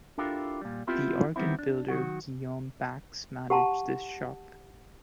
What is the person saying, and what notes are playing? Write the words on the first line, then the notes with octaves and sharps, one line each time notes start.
The organ builder Guillaume Bax managed this shop.
D4 E4 F4 G4 A4 A#4
A#2 G3
B3 C4 E4 F4 G4
D#3 G3 B3 C4 E4
D4
D#3 F#3 F#4
G4 F#5 A5 A#5 C6